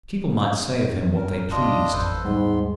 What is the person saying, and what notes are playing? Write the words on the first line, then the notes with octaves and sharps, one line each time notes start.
People might say of him what they pleased.
A#4
D4 F4 D#5
A1 F2 A4 B4 C5
D#2 G#2 G3 B3 C6